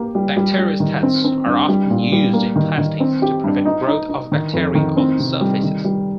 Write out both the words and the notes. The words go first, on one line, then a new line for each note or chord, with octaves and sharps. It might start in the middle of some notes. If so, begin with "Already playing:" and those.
Bacteriostats are often used in plastics to prevent growth of bacteria on surfaces.
Already playing: A#3 G4
G3
G3
G3
D#3
C4
C4
G2
G3
A#2
G3
A#3
D#3
D#3
C4
G4
G2
D#4
D#4
D#4
D#3
F2
D#3
C4
C3
G3
D#3
G3